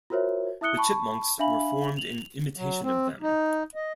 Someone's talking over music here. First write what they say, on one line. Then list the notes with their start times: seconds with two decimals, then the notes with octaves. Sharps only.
The Chipmunks were formed in imitation of them.
0.10 F4 F#4 A#4 C5 C#5 E5
0.61 E4 E5 D#6 F#6 C#7 G7
0.77 A5 B5 C#6
1.39 D4 E5 F5 G#5 B5 F#7
1.97 F7 F#7
2.56 F#3
2.83 C4
3.22 D#4
3.75 D#5